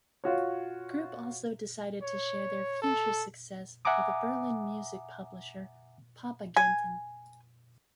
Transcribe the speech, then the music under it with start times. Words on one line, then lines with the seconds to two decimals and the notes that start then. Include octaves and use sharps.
Group also decided to share their future success with a Berlin music publisher "Popagenten".
0.24 F4 F#4 C#5
2.02 C#5
2.82 A4
3.85 E5 F#5 G#5 A#5 D6 D#6
6.56 G#5